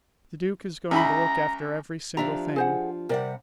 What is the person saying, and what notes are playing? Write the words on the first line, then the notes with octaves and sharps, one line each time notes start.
The duke is going to look after every single thing.
C#2 E4 A#5 B5
F3 D4 G4 E5 A#5
G#4 C5 F#5
C3 G3 A#4 D5 F#5